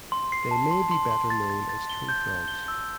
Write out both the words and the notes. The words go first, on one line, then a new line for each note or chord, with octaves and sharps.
They may be better known as tree frogs.
C6
C7
A5
C6
C6
C6
A6
A6
A6
G7
G6
G6
G7
E6